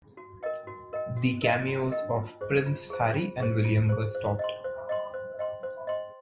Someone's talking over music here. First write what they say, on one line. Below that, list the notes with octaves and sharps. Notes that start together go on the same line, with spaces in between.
The cameos of Prince Harry and William were stopped.
F#4
A#4 D#5 G5
F#4
A#4 D#5 G5
F#4
A#4 D#5 G5
F#4
A#4 D#5 G5
F4
G#4 C5
F4
G#4 C5
F4
G#4 C5
F4
G#4 C5
C5
D#5 G5 C6
C5
D#5 G5 C6
C5
D#5 G5 C6
C5
D#5 G5 C6